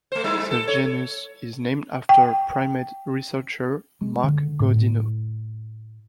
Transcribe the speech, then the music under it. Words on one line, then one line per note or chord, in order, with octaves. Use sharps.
The genus is named after primate researcher Marc Godinot.
A3 C5
G3 D#4 E4
G3
A4
C#5
G5
G#3
D3
A2